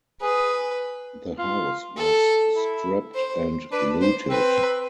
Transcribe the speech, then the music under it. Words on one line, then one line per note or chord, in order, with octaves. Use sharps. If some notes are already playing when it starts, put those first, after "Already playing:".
The house was stripped and looted.
G#4 B4
F4
A4
E4
C5
D4 B4
C5
C4 B4